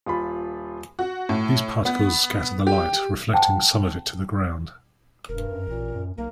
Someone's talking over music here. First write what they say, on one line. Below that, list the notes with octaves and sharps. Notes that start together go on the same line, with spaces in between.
These particles scatter the light, reflecting some of it to the ground.
D#1 F4 B5
F#4
A2
B3
G4
C5 F#5 G5 A5 A#5 D6
E1 G2 A#4
F#2
A1 A#2
F#2
B1 A#3 A#4